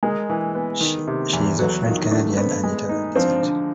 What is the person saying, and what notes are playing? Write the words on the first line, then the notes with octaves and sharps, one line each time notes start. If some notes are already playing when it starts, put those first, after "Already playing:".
She is of French-Canadian and Italian descent.
G#3 G#4 A#4
E3
B3
D#3
C3
E2
F#3 A4 B4
D#3 D#4 F4
D#4
A3 D4 E4
B3 C4 D4
G#3
D#4
F3 C4 D4
D3